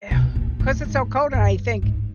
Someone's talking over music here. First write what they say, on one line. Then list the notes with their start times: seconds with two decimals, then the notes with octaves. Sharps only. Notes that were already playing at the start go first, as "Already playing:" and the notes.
ugh, 'cause it's so cold, and I think,
0.11 B2
0.36 A#2
0.60 A2
0.85 G#2
1.34 G2
1.82 G#2